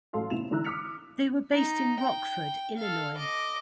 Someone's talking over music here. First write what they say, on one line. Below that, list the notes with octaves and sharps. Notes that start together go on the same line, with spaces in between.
They were based in Rockford, Illinois.
A1 F#3 A4 F5 C6
A1 C3 B3 E4 E7 F7
D3 E3 E4 A#5 E6 F#6
D6 D#6 F6 B6 C#7 F7
D#4
G5
A4 F5
D#5 D6